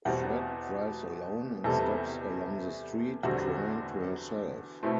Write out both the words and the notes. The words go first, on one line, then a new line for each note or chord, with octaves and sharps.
Fred drives alone and stops along the street, crying to herself.
E2 B2 G3 C4 F#5
E2 C3 G3 B3 A4
E2 D3 G3 C4 F#4
B2 A3 C4 E4